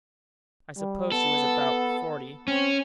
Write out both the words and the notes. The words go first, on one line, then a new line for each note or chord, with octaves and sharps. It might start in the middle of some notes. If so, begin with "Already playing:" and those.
I suppose she was about forty.
G3
B3 A4
C4 C#4